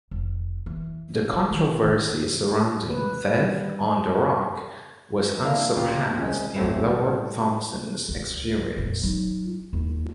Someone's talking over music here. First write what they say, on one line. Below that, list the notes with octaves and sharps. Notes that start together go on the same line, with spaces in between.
The controversy surrounding "Death on the Rock" was "unsurpassed" in Lord Thomson's experience.
F1
E3
G3
D#3
C3
B4
G3
A#3 D4 E4 E5 F5
D2 A#2 C#3 F4 G4 F5
C2 G#3 C#4
A1 E2 F#3 A3 C4 E4
A2 G3
C#2
A#1 F2
F#3 D#4
D#2